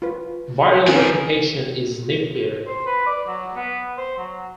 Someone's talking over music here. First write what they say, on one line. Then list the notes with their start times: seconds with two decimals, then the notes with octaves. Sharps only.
Viral replication is nuclear.
0.02 F4 B4
0.88 D#3 C4 C#4 G#4 A#4
2.67 C5
2.86 B4
3.06 D5
3.27 F#3
3.55 B3
3.98 C5
4.18 F#3